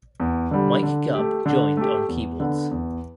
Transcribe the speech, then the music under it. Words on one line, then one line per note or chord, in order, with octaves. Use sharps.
Mike Gubb joined on keyboards.
E2
D3 G3
D3
A3 G4
D3
A3 G4
E2
D3 B3
E2